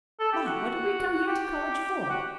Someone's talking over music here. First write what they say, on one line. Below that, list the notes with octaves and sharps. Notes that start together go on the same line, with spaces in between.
Why, what did we come here to college for?
A4
G4
F#4
G4
F#4